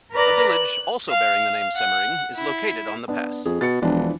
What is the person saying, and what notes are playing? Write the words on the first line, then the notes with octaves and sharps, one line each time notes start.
A village also bearing the name Semmering is located on the pass.
A#4 B4 D5 A#5 F#6
F#6
F5
F#5
E4
B3 D4
F2 G#4
B2 A6 C#7
E1 E3 F3 D4